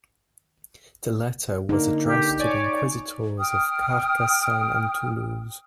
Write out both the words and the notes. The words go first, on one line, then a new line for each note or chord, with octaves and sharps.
The letter was addressed to the Inquisitors of Carcassonne and Toulouse.
D3 A#3 D#4
G4
C#5 D5 G#5 D6
G5 D#6 F6